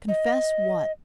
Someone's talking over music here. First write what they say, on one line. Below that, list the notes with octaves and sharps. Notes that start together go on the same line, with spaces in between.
"Confess what?"
D#5